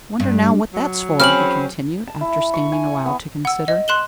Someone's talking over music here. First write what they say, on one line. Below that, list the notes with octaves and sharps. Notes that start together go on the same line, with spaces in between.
"Wonder now what thet's for?" he continued, after standing awhile to consider.
G2
F#3
C4 C#4 G#4 B5 F6 F#7
A5
E4
C#6
G#5
B3
F#5 E6
D#5
C6 F#6 E7 F#7 G7